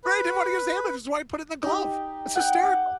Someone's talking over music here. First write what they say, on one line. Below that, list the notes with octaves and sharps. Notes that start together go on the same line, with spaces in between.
Right, he didn't want to use his hand, which is why he put it in the glove. It's hysterical.
B4
D#4 G4
F#5 G5
D6